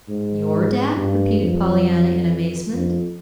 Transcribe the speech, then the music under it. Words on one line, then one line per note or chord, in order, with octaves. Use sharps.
"Your--dad?" repeated Pollyanna, in amazement.
G#2
G2
F2
F2